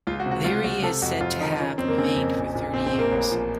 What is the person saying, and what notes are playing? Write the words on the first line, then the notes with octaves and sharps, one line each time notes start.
There he is said to have remained for thirty years.
C#2 F4
F#4
C3
F#4
C#2 F4
C#2 F#4
C3 A4
F2 F#4
F2 F4
D#3 D#4
F3 C#4
F2 C4
A#3
C#3 C4
F2
A#1
A#2
A#1 C4
C4
A#1
A#3
A1
F3